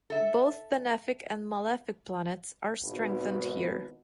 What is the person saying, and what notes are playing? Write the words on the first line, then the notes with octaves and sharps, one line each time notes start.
Both benefic and malefic planets are strengthened here.
A4 E5
G#1 E2 B2